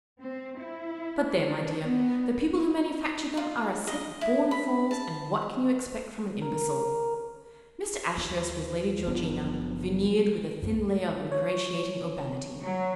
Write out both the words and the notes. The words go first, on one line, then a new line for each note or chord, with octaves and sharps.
But, there, my dear; the people who manufacture them are a set of born fools, and what can you expect from an imbecile?' Mr. Ashurst was Lady Georgina, veneered with a thin layer of ingratiating urbanity.
C4
E4
D4
B3
F4
D#5
E4
B5
A5
A#4
D#2
F#1 F3 B3 D4
B1 F#2
C#5
F#3